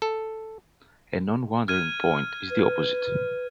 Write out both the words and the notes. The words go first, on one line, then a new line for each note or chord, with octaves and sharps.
A non-wandering point is the opposite.
A4
F6 G#6 D#7
B4